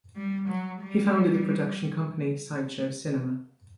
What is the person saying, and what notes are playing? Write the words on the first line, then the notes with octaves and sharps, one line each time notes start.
He founded the production company Sideshow Cinema.
G3
F#3
G3